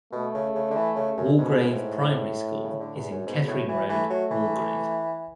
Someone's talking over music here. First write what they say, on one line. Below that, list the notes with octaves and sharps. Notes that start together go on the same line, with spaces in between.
Walgrave Primary School is in Kettering Road, Walgrave.
B2 A3
C#3
C#3
D3
E3
C#3
F#2
G#2 B2
A2
C#3
D3
E2
F#2
G#2 B2
A2
F#3
E3
E3 A3
F#3
E3